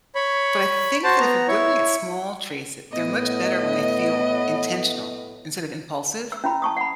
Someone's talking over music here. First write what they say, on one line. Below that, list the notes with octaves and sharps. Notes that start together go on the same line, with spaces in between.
but I think that if you're looking at small treats, they're much better when they feel intentional instead of impulsive,
C#5 B5
F#4 C5 A5
B3 A#5
E4 C#5
A2 B3 D#5
E6
C#4 E4 B5
A5 C#6 D#6
F#5 B5